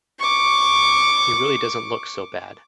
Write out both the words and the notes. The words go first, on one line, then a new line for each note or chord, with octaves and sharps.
He really doesn't look so bad.
C#6 D6